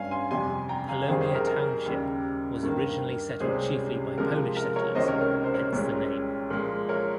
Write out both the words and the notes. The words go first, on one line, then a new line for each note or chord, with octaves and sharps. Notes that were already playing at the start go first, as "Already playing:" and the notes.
Polonia Township was originally settled chiefly by Polish settlers, hence the name.
Already playing: G2 G3 C#4 F5 G#5
G#5 C6
F2 C3 G3 G#5 C6
G5 A#5
F5 G#5
F2 D#3 G3 G#4 C5
G#4 C5
A#4
A#4
D#2 C#3 G3
G2 D#3 A#3
C#2 C3 G3 C#4 G#4 C5
C3 F3 G#3 A#4
A#4
A#4 C#5
C#2 C3 D#3 A#3 C#4 C5 D#5
A#4 C#5
A#4 C#5
C#5
C5
A#4 C#5
C2 A#2 G#3 C#4
A#2 F3 G#3
A#4 C#5